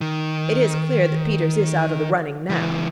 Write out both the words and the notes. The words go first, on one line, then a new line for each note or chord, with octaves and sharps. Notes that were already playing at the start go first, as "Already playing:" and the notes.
It is clear that Peters is out of the running now.'
D#3
C#2 E3